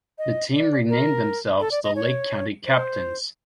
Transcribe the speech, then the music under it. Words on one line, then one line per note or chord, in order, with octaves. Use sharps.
The team renamed themselves the Lake County Captains.
D#5
D5
A#4
A4
D5
D#5
C#5
C5